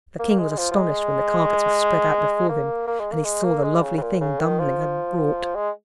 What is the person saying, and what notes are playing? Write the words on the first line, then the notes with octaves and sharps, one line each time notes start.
The King was astonished when the carpets were spread out before him and he saw the lovely thing Dummling had brought.
A#3
A#3
G#3
G#3
F3
F3
G#3
A#3
A#3
G#3
A#3
G#3
A#3
G#3
C#3
C#3
A#2
C#3
D#3
F3
G#3